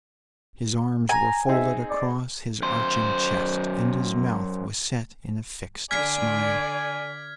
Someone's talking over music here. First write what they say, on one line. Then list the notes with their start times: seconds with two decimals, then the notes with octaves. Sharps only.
His arms were folded across his arching chest, and his mouth was set in a fixed smile.
1.09 G#5 A#5
1.49 C4 D#4 G#4 E5
1.89 D5
2.62 F#2 C5
5.91 D3 D5 G#5 F6 G#6 B6